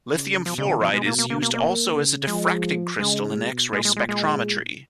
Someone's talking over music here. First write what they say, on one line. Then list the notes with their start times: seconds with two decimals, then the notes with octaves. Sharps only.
Lithium fluoride is used also as a diffracting crystal in X-ray spectrometry.
0.09 C#3
0.46 B2 F3
0.58 C#3
0.69 D#3
0.81 F3
0.94 G#3
1.06 A#3
1.18 A#3
1.30 A#3
1.42 A#3
1.54 A#3
1.91 C#3
2.27 F3 G#3
3.00 C#3 G#3
3.37 B2
3.72 A#2 G#3
3.85 G#3
3.96 G#3
4.09 G#3